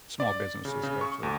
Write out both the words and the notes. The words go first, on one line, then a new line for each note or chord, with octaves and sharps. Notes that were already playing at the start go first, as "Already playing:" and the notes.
small businesses, especially.
D5
C#3
C#3
C#6
D2